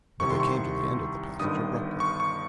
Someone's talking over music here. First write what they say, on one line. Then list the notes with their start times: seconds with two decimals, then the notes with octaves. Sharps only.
But they came to the end of the passage abruptly.
0.20 C2 C3 D#3 C#6
0.30 C6
0.40 C#6
1.40 G1 G2 D#3 D#6
2.00 C#6
2.20 C#6